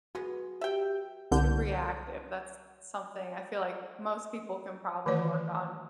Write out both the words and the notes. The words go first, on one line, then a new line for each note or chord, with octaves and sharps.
too reactive. That's something I feel like most people can probably work on.
G#3 B3 F#4 G#4 B4
G4 E5 G5
C2 D3 G6
D#3 E3 A3 C#5 D5